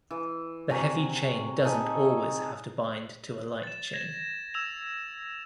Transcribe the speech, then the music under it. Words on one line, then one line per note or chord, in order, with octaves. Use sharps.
The heavy chain doesn't always have to bind to a light chain.
E3
C3 F#4 G#5 A#5
D#4 G#4 A4 E5
A6 E7
G#6 A#6 E7
E6 G#6 E7 F7